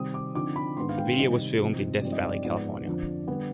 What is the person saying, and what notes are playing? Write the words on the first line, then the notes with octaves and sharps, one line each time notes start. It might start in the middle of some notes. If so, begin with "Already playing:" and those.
The video was filmed in Death Valley, California.
Already playing: C3 D#3 G3 C4 D#6
D6
D3 F3 C4 D#4 D6
B5
G#2 D#3 G#3 B3 D4 C6
F5
G5
F5
C3 D#3 G3 D#5
C3 F3 C4 D#4
G2 F3 G#3 C4 D#4 D5
D#5
D5
G#2 F3 B3
F2 D3 F3
D3 G3 B3